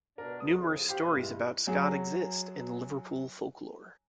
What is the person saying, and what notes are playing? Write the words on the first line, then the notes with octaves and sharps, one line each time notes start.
Numerous stories about Scott exist in Liverpool folklore.
B2 D4 A#4 D5
F2 C#3 D#6
G4 C5 F5
B2 F4 B4
G2 E3 G#3
F#2 F#3 G#4